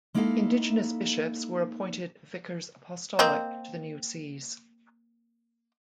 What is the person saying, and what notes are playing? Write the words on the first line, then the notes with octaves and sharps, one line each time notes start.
Indigenous bishops were appointed Vicars Apostolic to the new Sees.
G#3 A#3 D#4 E4 A4 F5
A#3 C4 D#5